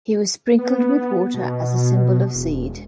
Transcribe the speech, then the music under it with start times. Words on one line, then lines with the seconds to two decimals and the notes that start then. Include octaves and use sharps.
He was sprinkled with water as a symbol of seed.
0.58 B3
1.34 B2
2.34 E1